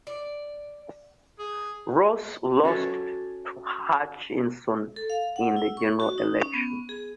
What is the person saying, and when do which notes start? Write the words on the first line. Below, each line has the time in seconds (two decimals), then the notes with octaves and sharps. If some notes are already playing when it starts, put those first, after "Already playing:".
Ross lost to Hutchinson in the general election.
0.07 D5
1.39 G#4
2.63 C#4 F#4 A4 C#5
4.96 A4
5.10 F5
5.36 F#5
5.56 E4
5.77 C#6
6.00 F#4
6.18 D#4
6.40 C#4
6.54 B3
6.89 G#4